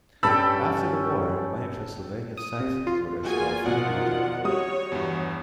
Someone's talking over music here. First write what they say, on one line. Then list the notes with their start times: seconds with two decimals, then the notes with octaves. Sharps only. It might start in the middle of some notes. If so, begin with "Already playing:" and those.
After the war many Transylvanian Saxons were expelled from the region.
0.23 G2 C#4 G4 A4 G5 A5 B5 E6
2.37 D#6
2.60 C3
2.87 F4
3.26 A#3 F4 F#4 G#4 G#5
3.66 B2 D#3 F3 D5 F#5
4.44 G3 F#4 C#5 D#6
4.92 E2 G2 E3